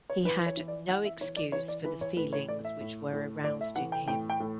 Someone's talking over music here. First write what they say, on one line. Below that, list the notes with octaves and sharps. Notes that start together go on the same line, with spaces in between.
He had no excuse for the feelings which were aroused in him.
C#5
E3 B4
C#5
E3
D5
E3 F#5
E5
E3 C#5
D5
E3 C#5
D5
E3 B4
C#5
A2 B4
C#5
A2 D5
E5
A2
A2
A2 D5
E5
E3 F#5
G5
A2 G5
G5
A2